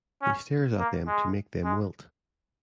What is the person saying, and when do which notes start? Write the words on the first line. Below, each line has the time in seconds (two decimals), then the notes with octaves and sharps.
He stares at them to make them wilt.
0.22 C#4
0.79 A#3
1.07 G#3
1.64 G#3